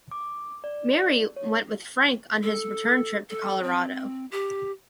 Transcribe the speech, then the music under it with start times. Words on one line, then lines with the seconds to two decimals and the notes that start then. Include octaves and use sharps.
Mary went with Frank on his return trip to Colorado.
0.11 D6
0.64 D5
1.36 C#5
2.43 A4
3.29 A4
3.63 C4
4.31 G4